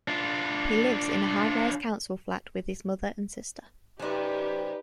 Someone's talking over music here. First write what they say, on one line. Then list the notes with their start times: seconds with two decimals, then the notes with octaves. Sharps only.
He lives in a high rise council flat with his mother and sister.
0.08 D4 F4
3.99 F#2 C3 D#4 G4 B4 D5 G#5